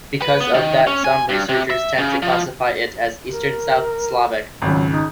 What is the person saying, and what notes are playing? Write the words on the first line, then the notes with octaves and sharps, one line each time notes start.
Because of that some researchers tend to classify it as Eastern South Slavic.
B4
B3
D#3
C#4
G#5
G2
C3
E5
C#3
F3
A#4
G#1 C#2 F#3
D#4